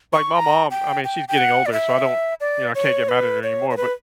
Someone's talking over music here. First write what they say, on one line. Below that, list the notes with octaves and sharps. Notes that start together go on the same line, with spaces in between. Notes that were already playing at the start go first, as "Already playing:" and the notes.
Like my mom, I mean, she's getting older, so I don't, you know, I can't get mad at her anymore, but
C#6
A#5
G5
G5
G5
F#5
D5
E5
D5
C#5
B4
C#5
C#5
B4